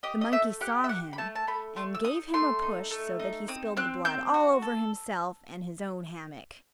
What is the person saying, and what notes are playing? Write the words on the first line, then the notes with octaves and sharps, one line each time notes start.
The monkey saw him and gave him a push so that he spilled the blood all over himself and his own hammock.
G4 D#5
D#5
A3 E5
G4 F#5
E5
G4 F#5
B5
A3 A5
A5
A3 B5
A3 C6
E6
D#4 D#6
A3 C6
D#4
A3
D#4
C4 D#6
C4 F#6
C4 G6
F#4
A4